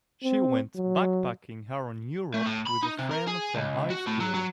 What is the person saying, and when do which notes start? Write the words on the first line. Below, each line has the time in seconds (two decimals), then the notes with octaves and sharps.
She went backpacking around Europe with a friend from high school.
0.24 C4
0.77 F#3
2.34 A3
2.46 A2
2.67 B5
2.83 D#4
2.99 C3
3.11 A#4
3.28 G#4
3.55 C#2
3.90 F#4
4.06 A2
4.20 F#3
4.35 F#3